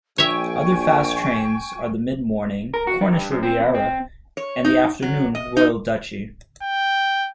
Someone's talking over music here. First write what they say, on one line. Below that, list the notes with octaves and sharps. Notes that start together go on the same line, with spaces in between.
Other fast trains are the mid-morning "Cornish Riviera" and the afternoon "Royal Duchy".
A#1 C#5 E5 G5 G#5 C#6
A#4
F#4
D#3
G2
F#2
C4
E2
C4
C#5
D#4
F#3
D#5
D#4
G5